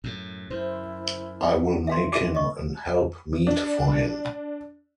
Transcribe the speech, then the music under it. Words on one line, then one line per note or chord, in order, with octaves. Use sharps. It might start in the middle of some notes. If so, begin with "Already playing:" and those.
I will make him an help meet for him.
F#2 A2
F#2 E4 C5
E5 F5 C6
E5 D6
D#5 C#6
D4